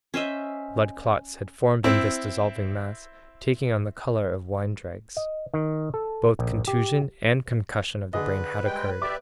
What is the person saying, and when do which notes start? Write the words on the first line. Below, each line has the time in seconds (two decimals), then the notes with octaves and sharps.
Blood clots had formed in this dissolving mass, taking on the color of wine dregs. Both contusion and concussion of the brain had occurred.
0.14 C#4 C5 D#5 E5
1.84 C4 E4
5.17 D#5
5.54 D#3
5.94 A4
6.39 A#1
6.68 G4
8.13 D3 G#4 B4 D#5
8.65 G3 G#3 G5
9.02 G4 D5 E5 D6